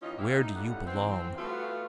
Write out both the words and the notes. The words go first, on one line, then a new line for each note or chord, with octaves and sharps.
Where do you belong?
D#2 E3 C#4 D#4 F4 D#5
G#3 A#3 E4 G4 E5 F5
D#4
F2 A2 G3 A3 F#5
E3 C4
G3 A3 B3 F4 F#4